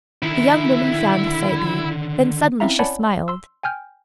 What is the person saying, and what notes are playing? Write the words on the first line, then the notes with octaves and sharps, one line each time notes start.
The young woman frowned slightly; then suddenly she smiled.
D3 D#3 E4
C4 C#4 E4 E5 F5 A#5
C#5 D5 F#5 G#5 A5 B5
C6 E6
G5 G#5 F6 G6